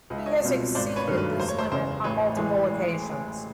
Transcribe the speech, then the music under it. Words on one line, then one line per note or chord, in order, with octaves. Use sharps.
He has exceeded this limit on multiple occasions.
C#2 D#5
E5
C#5 D#5
B2 G3 C4 F4
G#1 C5 D5
B4 C#5
G2 D#3 F#3 A3
B4
F1 C5
C#5
C5
E2 C#3 C5
A1 B4 C#5
E3 G#3